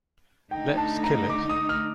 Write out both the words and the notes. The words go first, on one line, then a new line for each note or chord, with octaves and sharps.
Let's kill it.
D3 A3 D#4 G5
A5
A#5
D6
D#6
F6